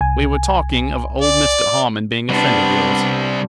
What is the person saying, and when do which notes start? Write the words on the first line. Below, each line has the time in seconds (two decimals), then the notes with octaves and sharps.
'We were talking of old Mr Harmon being a friend of yours.'
0.01 C2 G#5
1.21 D5
2.29 C3 G3 B3 D4